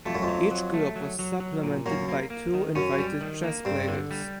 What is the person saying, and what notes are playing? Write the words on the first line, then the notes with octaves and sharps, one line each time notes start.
Each group was supplemented by two invited chess players.
F2 A3
F#2
F2
F#3
F#3
A3
F#3
F#3
F#3
A#2
F#2 A#3
A#3
A#3
D#3
F#2 C#4
G3
D#3
A#3
G2 C4
D3
G3